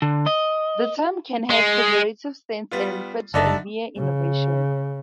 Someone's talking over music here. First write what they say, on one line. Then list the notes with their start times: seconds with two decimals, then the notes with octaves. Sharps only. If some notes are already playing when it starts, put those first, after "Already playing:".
The term can have pejorative sense and refer to a mere "innovation".
0.02 D3
0.27 D#5
1.50 G#3
2.71 G3 B3 F4
3.34 F#1 D3 D4 D#4 D5 E5 A5
3.97 C#3